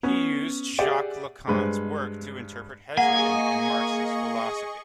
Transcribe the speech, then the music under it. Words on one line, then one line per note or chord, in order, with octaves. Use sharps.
He used Jacques Lacan's work to interpret Hegelian and Marxist philosophy.
B3 C#4
G4 G#4 D5 E5 F#5 G5
G2 G#3 B4 C5
A#3 G#4 D#5 F#5 G#5 C#6